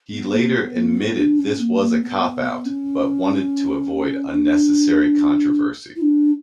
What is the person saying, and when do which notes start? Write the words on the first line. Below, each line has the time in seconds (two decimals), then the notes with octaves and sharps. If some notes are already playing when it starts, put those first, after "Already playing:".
He later admitted this was a "cop out" but wanted to avoid unnecessary controversy.
0.13 B3
0.33 A#3
0.55 B3
0.76 A#3
0.97 B3
1.17 D4
1.39 C#4
1.60 A#3
1.80 A#3
2.02 B3
2.23 B3
2.45 B3
2.66 C#4
4.33 D4
5.96 E4
6.02 D4